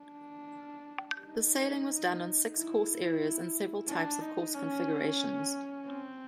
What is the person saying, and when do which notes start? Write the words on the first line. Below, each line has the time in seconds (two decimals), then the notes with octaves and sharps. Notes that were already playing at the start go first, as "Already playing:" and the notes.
The sailing was done on six course areas and several types of course configurations.
Already playing: D4
1.24 D#4
2.56 E4
3.88 D4
4.20 D#4
4.54 C#4
5.85 C4